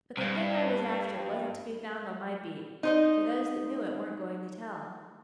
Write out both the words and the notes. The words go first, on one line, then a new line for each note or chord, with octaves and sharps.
But the thing I was after wasn't to be found on my beat, for those that knew it weren't going to tell.
C2 G2
D#4 C5 D#5